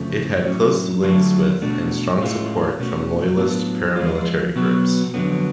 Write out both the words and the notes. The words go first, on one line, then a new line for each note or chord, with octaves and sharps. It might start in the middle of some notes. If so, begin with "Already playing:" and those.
It had close links with, and strong support from loyalist paramilitary groups.
Already playing: F2 C#3 F3 A3
A2 F#3 C#4
D3 F#3 A3 D4 F4
B2 A3 D4 F#4
A2 G#3 C#4 F4
B2 A3 C#4 F#4
A2 F#3 B3 D4 F4
F3 G#3 C#4 F4
B2 F#3 B3 F#4
F2 D3 F#3 B3